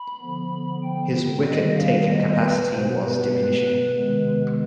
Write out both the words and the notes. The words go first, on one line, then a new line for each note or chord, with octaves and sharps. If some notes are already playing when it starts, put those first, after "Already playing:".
His wicket-taking capacity was diminishing.
Already playing: B5
D3 F3 B3
G5
D#3 G3 B3 D#5
F5
D#5
B4
B2 B3 C5
B4
C3 D#3 G#3 B3